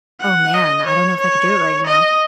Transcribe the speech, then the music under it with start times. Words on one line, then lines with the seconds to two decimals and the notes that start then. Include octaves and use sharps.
Oh, man, I don't know if I could do it right now.
0.21 F#5
0.54 D#5
0.87 C#5
1.20 C#5
1.87 D#5